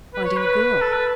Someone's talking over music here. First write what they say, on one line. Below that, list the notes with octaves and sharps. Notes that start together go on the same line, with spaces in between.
"Finding the girl."
B4
C#5
B4
A4
B4